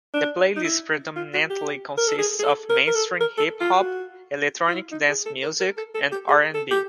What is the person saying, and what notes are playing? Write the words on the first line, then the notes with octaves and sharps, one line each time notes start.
The playlist predominantly consists of mainstream hip-hop, electronic dance music and R and B.
D4
D#4
E4
F4
F#4
G4
A#4
A4
G#4
G#4
A4
A#4
A#4
A4
A#4
A4
F4
F#4
F4
E4
D#4
G#4
A4
A#4
A#4
A4
A4
G4
G#4
A4
G4